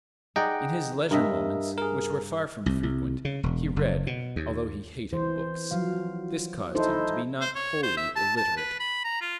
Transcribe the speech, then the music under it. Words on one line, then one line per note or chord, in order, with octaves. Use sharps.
In his leisure moments, which were far from frequent, he read, although he hated books; this caused him to be not wholly illiterate.
D#4 G#4 D5 D#5 F#5 G5
G2 A#4 D#5 E5
G#4 A#4
C2
C2
C#3
E1
F#1
B2
D#2
E3 C5
F3 F#3 F5
D#4 E4 A4 C5
C5
C#5
C5
E5
A5
A5
B4
B5
A#5
F4